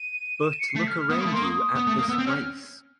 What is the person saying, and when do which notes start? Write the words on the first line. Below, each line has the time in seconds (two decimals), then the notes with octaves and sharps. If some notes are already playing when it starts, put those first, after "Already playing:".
But look around you at this place.
Already playing: D#7
0.42 E7
0.51 D#7
0.59 C#7
0.68 C7
0.76 A3 B6
0.87 F6
0.98 F6
1.10 B3 D#6
1.18 A#3
1.21 A3 B5
1.32 A#3 C6
1.43 D#6
1.76 B3
1.87 A3
1.98 A#3
2.09 B3 E6
2.18 C4
2.26 C#4 F6